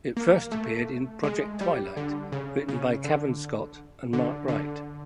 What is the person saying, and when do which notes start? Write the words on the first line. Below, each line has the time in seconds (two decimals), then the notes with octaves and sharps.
It first appeared in "Project: Twilight", written by Cavan Scott and Mark Wright.
0.17 A#3
0.52 A3
1.24 G#3
1.61 G3
1.97 D3
2.32 C#3
2.68 C#3
3.04 D3
4.13 D3
4.48 D3